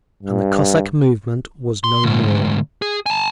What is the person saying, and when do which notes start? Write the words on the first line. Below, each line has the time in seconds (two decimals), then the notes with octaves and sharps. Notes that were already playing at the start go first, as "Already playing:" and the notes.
And the Cossack movement was no more....
0.23 G2
1.84 C6
2.04 D2 G#2
2.82 G#4
3.06 G#5 A5